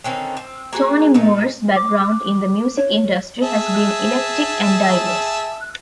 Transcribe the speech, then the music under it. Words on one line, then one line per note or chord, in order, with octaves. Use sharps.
Tony Moore's background in the music industry has been eclectic and diverse.
D3 D#3 C4 C#4
C4
A#3 F#4 G#4 G#5
A#2 F3 D#4
D6
C#5
G#4 E5 A5